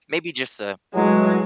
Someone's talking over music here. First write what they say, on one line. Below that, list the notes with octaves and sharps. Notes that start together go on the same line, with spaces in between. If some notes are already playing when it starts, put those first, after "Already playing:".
maybe just a
A2 E3 F#3 G#3